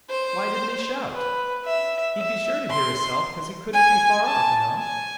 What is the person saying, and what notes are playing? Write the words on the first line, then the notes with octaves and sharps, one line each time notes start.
"Why didn't he shout? He'd be sure to hear his-self, 'cause he couldn't be far off, oo know."
C5
B4
E5
E5
C6
G#5
A5
G#5